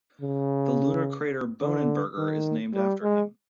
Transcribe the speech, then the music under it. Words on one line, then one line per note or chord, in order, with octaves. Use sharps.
The lunar crater Bohnenberger is named after him.
C#3
D3
D#3
G3
G#3